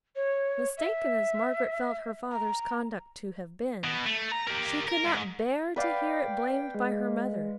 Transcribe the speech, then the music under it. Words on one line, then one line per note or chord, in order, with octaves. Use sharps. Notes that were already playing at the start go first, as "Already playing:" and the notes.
Mistaken as Margaret felt her father's conduct to have been, she could not bear to hear it blamed by her mother.
C#5
E5
A#5
B2
A3
A#5
G4 A#4
A#4
G#2
B4 D5 F5 G5
G#3